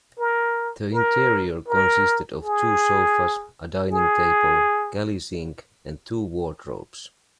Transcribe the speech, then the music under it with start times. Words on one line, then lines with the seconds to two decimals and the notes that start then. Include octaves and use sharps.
The interior consisted of two sofas, a dining table, galley sink and two wardrobes.
0.19 A#4
0.94 A#4
1.68 A#4
2.43 G#4
3.92 G#4